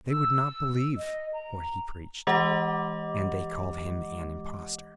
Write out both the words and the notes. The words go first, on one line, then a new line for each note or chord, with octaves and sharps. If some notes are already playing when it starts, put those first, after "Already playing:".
They would not believe what he preached, and they called him an impostor.
E6
D#5
A#5
E3 G#3 G4 D#5 F#5 D6